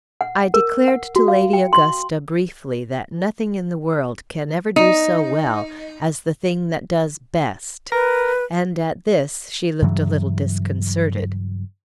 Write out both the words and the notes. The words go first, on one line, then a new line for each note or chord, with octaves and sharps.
I declared to Lady Augusta briefly that nothing in the world can ever do so well as the thing that does best; and at this she looked a little disconcerted.
F#5
A#4
F#5
F#4
F5
G5
C6
D#4
A#4 B4 A#6
G2 C#3 E3 F#3